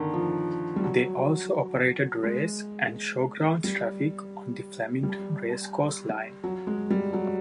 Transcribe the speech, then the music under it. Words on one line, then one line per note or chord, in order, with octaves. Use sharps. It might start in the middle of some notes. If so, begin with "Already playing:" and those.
They also operated race and showgrounds traffic on the Flemington Racecourse line.
Already playing: D3 D#3
F3
G3
F#3
G#3
G3
G3
F#3
G#3
G3
F#3